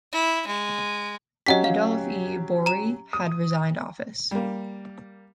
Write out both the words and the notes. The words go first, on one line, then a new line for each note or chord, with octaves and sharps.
Adolph E. Borie had resigned office.
E4
G#3
F#3 C#4 G4 D#5 F#5 B6
F5
A#5 E7
D#6
G3 A#3